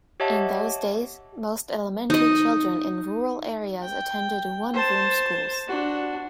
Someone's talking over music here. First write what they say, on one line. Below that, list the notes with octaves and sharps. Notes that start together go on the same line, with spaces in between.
In those days, most elementary children in rural areas attended one-room schools.
G4 C#5 D#5 E5 F#5 A5
D#4 D#5
G5
C5 A5
D4 F#4